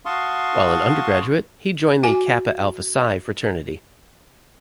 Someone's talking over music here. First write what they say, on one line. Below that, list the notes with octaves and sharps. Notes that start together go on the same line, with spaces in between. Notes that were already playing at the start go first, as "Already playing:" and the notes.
While an undergraduate, he joined the Kappa Alpha Psi Fraternity.
F#4 F5 A5 C6 C#6 D#6
F#4 G#5